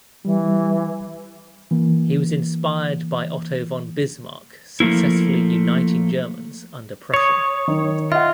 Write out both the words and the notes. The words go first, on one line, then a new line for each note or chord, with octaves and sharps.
He was inspired by Otto von Bismarck successfully uniting Germans under Prussia.
E3 G3
E3 A#3
F3 A3 A#3 E4
C#5 D#6 C#7
D#3
F4 D#5 E5 F#5